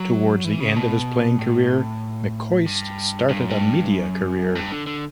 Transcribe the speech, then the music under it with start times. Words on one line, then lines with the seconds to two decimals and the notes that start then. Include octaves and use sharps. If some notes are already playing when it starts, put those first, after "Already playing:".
Towards the end of his playing career, McCoist started a media career.
Already playing: F#3
0.45 E3
0.60 C#3
0.77 B2
1.39 A2
2.66 G2
3.29 G2
3.40 F#2
3.50 G2
3.93 F#2
4.55 G2
4.72 D3
4.87 D3